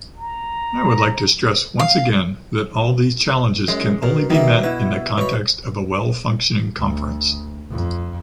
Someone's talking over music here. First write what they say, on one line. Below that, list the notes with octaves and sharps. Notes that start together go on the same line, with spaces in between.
I would like to stress once again that all these challenges can only be met in the context of a well-functioning Conference.
A#5
F5
F#2 G#3
B2 A#4
B2 D#3 A#3 E5
B2 E4 B4
B2 C#5 B5
D2
F2